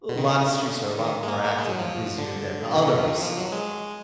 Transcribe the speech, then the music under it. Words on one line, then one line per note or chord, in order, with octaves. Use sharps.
a lotta streets are a lot more active and busier than the others,
B2
D#3
D3
D#3
G#3
A#3
A#3
G#3
F#3
F3
D3
B2
D3
B2
F3
D#3
F3
F#3
G#3